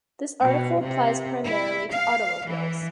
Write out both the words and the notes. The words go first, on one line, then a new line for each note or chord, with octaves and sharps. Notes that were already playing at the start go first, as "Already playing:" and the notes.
This article applies primarily to automobiles.
B2
C3
E4
F5
E3